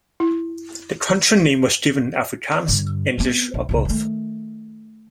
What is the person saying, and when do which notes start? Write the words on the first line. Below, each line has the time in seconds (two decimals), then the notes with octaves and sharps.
The country name was given in Afrikaans, English or both.
0.20 E4
2.68 G2 D3
3.18 B3 C4
3.54 B1
3.69 C2 C#3
3.85 D#3 A3